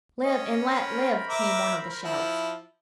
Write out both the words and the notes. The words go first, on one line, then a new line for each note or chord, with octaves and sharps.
"Live and let live!" came one of the shouts.
C#4 D#5
A#4 C5 B5
E5 A#5 D6
F3 E4